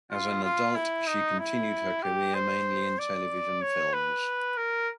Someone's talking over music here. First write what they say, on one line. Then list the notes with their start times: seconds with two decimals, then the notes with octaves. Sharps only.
As an adult, she continued her career mainly in television films.
0.11 F4
0.43 F4
0.75 E4
1.07 D#4
1.39 E4
2.03 G4
2.34 C5
2.99 D5
3.61 C#5
3.93 B4
4.57 A#4